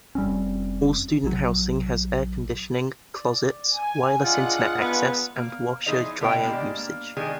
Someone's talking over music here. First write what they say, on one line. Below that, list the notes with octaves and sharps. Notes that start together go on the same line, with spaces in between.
All student housing has air-conditioning, closets, wireless Internet access, and washer-dryer usage.
F1 G3 C4 C#4
A#1 F#3
D5
G#5
G#3 D4 F4 G#4 F#5
B3
A#3
E3 A3 D#4 G#4 C5 D#5
B2 D3 G#3 D#5 F5 G5
G#3 A#3 D4 G4
A#3
D#3 F3 G#3 D4 G#4 A#4